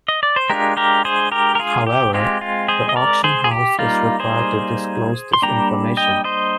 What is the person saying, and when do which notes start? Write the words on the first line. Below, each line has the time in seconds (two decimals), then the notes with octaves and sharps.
However, the auction house is required to disclose this information.
0.08 D#5
0.23 D5
0.36 C5
0.50 G#3 D4 F4 G4 A#4
0.77 G4 A#4
1.05 G#4 C5
1.32 G4 A#4
1.55 A#4
1.59 F4 G#4
1.87 G4
2.14 G#3 C4 F4 G4
2.41 F4
2.68 G#4 C5
2.89 D#5
2.96 A#4 D5
3.24 G#4 C5
3.44 G#4
3.51 G4
3.79 G3 A#3 D#4 F4
4.20 G#4 C5
5.33 C6
5.42 G3 A#3 D4 G5 A#5
5.97 D#5 G5
6.24 C5 D#5